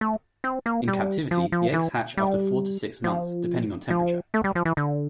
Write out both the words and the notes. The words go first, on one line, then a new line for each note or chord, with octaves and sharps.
In captivity, the eggs hatch after four to six months, depending on temperature.
A3
C4
A#3
G3
F3
F3
E3
G3
F3
F3
A3
G3
F3
E3
D3